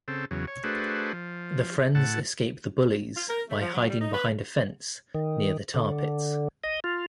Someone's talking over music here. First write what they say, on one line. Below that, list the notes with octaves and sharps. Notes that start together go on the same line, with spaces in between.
The friends escape the bullies by hiding behind a fence near the tar pits.
C#3 C4 A4
E2 C#3 F#3
C#5
A3 D4 F#4 G#4 B4 C5
F3
A2 F#5 A5
F4
A#4
A3
F3
F#3
G3
D#4
B4
D#3
D3
D#5
F4